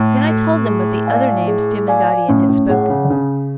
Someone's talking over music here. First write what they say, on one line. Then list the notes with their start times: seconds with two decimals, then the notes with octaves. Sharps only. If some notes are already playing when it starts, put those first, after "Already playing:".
Then I told them of the other name Stumm and Gaudian had spoken.
Already playing: A2
0.24 F#4
0.29 A4
0.65 G#4
1.06 D5 F5 G#5
1.48 G#4
1.88 D5 F5 G#5
2.29 A2 C#4
2.49 A2
2.69 A2 G#4 C#5 F#5
2.90 C#3
3.04 D3
3.10 C#3 C#4